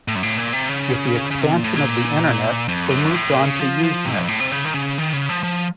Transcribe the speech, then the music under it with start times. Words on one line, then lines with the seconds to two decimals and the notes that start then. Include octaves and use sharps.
With the expansion of the Internet they moved on to Usenet.
0.08 A2
0.16 F#2
0.23 A2
0.37 A#2
0.53 C3
0.69 C#3
1.31 C#3
1.41 C3
1.53 A#2
1.64 A2
1.76 A#2
2.68 F2
2.90 F#2
3.14 A2
3.29 A#2
3.44 C#3
3.60 F3
3.83 F3
4.05 C3
4.17 F2
4.28 A2
4.40 C3
4.51 C#3
4.65 D#3
4.75 C#3
4.98 D#3
5.13 C#3
5.29 F3
5.43 F3